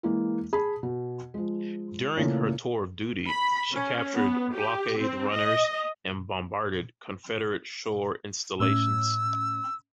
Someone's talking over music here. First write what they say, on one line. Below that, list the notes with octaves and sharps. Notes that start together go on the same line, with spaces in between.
During her tour of duty, she captured blockade runners and bombarded Confederate shore installations.
E3 G#3 A#3
G#4 A5 B5
B2
F3 G#3
A#2 C#3 E3 A3 A#3
B5
C#4
B3
G4
C4
D#5
A2 C#4 E6